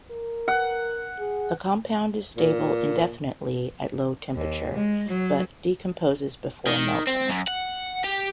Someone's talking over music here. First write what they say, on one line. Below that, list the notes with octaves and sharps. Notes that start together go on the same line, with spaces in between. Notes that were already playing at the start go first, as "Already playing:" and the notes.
The compound is stable indefinitely at low temperature, but decomposes before melting.
A#4
F#5
G#4
A#2
D#2
G#3
F#3
D#3
C4
F#2
F#5
G4